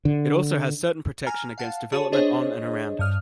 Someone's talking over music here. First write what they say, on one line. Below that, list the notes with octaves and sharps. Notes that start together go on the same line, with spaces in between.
It also has certain protection against development on and around it.
D3
G#5 A#5 F6
F5 F#5 A5
F#4 G#4 C#5 A5
D4 G#4 C5 C#5 D#5
G2 D#6 F6